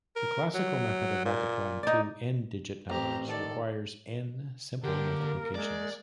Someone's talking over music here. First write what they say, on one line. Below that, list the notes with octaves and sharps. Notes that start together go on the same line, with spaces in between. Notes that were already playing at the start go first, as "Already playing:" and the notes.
The classical method of multiplying two "n"-digit numbers requires "n" simple multiplications.
A#4
F#3
A#2
D#4 D5
A1 C4 G4 A#5
D#3 A4 D5
D3 A#3 G4 A#4
G#3 D5